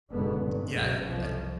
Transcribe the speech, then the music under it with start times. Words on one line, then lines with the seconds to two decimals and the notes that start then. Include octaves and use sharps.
Yeah, it I uh,
0.10 F#1 G#2 B2 D3 B3
0.42 F1 G2 A#2
0.74 F#1 C#2 B2
1.05 C2 F2 F3